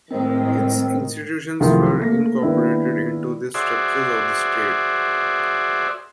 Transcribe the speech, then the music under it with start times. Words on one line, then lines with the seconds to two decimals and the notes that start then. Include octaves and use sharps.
Its institutions were incorporated into the structures of the state.
0.11 A2 D#3 G#3 C4
1.60 C2 F#2 D#3 F3 G#3 A3
1.98 A3 A#3 A#6
2.42 D#3 G#3 A#3 B3 D4 E4
3.54 F#4 G#4 C5 D5 E5